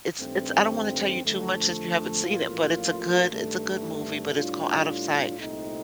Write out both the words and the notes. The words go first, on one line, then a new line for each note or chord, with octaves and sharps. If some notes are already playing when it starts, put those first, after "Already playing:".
it's it's I don't wanna tell you too much since you haven't seen it, but it's a good it's a good movie, but it's called Out of Sight.
G2 D#3 A3 C4
F2 D3 F3 A3
A1 A2 F3 A#3 F4
G2 D#3 A3
A2 G3 D4 F4
C2 A#2 A3 C4 D#4